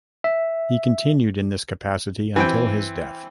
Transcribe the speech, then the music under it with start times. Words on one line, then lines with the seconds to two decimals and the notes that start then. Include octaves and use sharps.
He continued in this capacity until his death.
0.24 E5
2.36 E3 C4 G5